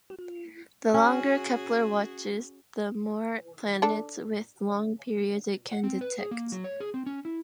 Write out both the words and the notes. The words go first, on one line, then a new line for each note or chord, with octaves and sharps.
The longer "Kepler" watches, the more planets with long periods it can detect.
C#4 F#4 G#4
D4 A4
F#5
C4
B4
G#4
A#3
F#3
C#5
G#4
C4
C#4
E4